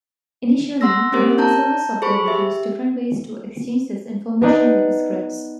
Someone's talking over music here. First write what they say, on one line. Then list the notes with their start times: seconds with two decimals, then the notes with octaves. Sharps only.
Initially, different server software would use different ways to exchange this information with scripts.
0.81 F#5 C6 E6 A#6
1.12 A#3 C4 C#4 G4 A#4 C5
1.38 A5 A#5 G6
2.02 G#4 A4 C5 B5 C#6
2.26 G4 E5
4.42 B3 D4 D#4